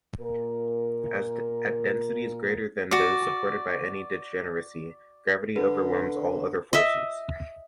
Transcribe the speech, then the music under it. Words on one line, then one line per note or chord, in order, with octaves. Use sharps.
At densities greater than those supported by any degeneracy, gravity overwhelms all other forces.
A#2 A#4
F#4 D5
D3 B4
D#5 E5